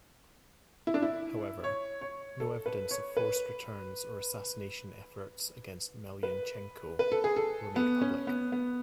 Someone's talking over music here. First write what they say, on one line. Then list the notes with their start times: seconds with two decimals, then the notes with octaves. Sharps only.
However, no evidence of forced return or assassination efforts against Melnychenko were made public.
0.87 E4
0.94 D4
1.02 E4
1.64 C#5
2.01 C#5
2.40 A4
2.66 B4
2.91 C#5
3.17 B4
6.23 B4
6.99 B4
7.12 A4
7.24 G#4
7.36 A4
7.76 B3
8.02 C#4
8.27 B3
8.52 B3